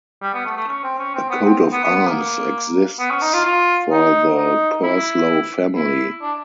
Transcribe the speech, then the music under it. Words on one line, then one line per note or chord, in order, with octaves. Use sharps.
A coat of arms exists for the Purslow family.
G3
B3
A3
A3
C#4
C4
C#4
C4
B3
C4
B3
B3
B3
A#3
B3
C#4
D#4
F4
F4
D#4
D#4
E4
E4
D4